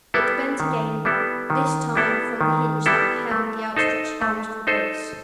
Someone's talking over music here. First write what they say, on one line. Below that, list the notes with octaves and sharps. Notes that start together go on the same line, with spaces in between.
It bent again, this time from the hinge that held the outstretched arms to the base.
G3 B3 E4 A4
D#3
G3 B3 E4 A4
D#3
G3 B3 E4 A4
D#3
G3 B3 E4 A4
A3
D#4 A4 C5 D#5
A3
D#4 A4 C5 D#5